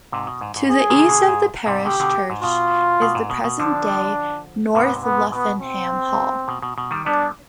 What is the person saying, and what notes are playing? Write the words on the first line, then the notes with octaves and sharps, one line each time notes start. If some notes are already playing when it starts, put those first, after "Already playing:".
To the east of the parish church is the present day North Luffenham Hall.
G#2 C3
B2
G#2
G#2
G#4
C3 D#3
B2 D3
G#2
G#2 C3
B2 D3 G4
B2 D3
G#2
B2 F4
B2
G#2
B2
B2
D3 F3 D4
G#2 C3 B3
B3
B2 B3
C4
B2
B2
B2
D#3 G3
G3 B3 D4